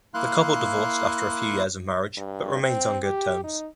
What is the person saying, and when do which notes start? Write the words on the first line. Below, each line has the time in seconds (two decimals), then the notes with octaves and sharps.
The couple divorced after a few years of marriage, but remains on good terms.
0.14 A#3 E4 F5 C6 F#6
2.17 G2
2.61 C4
3.03 G4
3.44 D#4